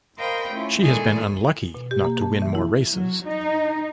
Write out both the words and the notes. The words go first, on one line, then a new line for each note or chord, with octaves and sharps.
She has been unlucky not to win more races.
A#4 C5 D#5 F5 G5 B5
A3 C#4 E4 F4
A#2 D#3 E3 G#3 G#4 A4
B2
G4
A#3
A5
E3
E4
F#3
D#4